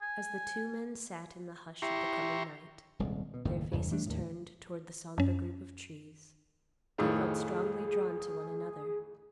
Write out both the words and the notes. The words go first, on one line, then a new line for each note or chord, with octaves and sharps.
As the two men sat in the hush of the coming night, their faces turned toward the somber group of trees, they felt strongly drawn to one another.
G#5
E4 G4 A#5 C6 C#6
D#1 C2 G#3
B2
F#1 D#2 A2
E1 E2 G2 C#3
E3 G3 A3 D4
D#2 A2
F#2 C#4
F2 A2 D#3 G#4